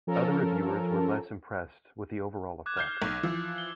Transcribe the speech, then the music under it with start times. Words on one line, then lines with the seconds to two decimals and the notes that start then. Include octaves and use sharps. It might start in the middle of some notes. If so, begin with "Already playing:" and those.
Other reviewers were less impressed with the overall effect.
0.07 F3 C#4 A4 A#4
2.66 D6 F#6 G#6
2.77 F6 G6 C7
3.02 B1
3.23 E3 F3 E6
3.58 G7